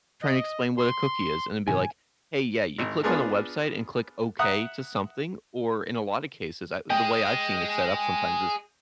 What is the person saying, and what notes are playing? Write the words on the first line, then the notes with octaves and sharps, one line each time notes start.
trying to explain what a cookie is and then be like, "Hey, yeah, you click on a website and click 'okay' to something," or, in a lot of cases, uh, the way I've seen it set up sometimes is,
D#5
C6
G#2 C3 E3 G#5
G#1
B3 D4 F4 G#4 A#4 A5
E5 F#5 A#5 D#6 F#6
G#4 D#5 G5